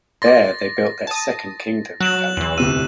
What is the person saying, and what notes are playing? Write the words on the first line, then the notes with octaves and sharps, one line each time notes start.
There they built their Second Kingdom, Valinor.
C6 D6 A6 A#6
A5 D#6
F#3 F#6 E7 F#7
E2 E3
D1 C3 E6 D#7